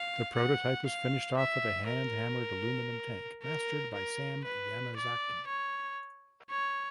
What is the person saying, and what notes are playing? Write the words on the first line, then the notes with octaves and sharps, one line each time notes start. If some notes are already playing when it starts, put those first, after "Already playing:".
The prototype was finished off with a hand-hammered aluminum tank mastered by Sam Yamazaki.
Already playing: F5
F#5
F5
E5
A#4
A#4
A#4
B4
D5
C#5
C#5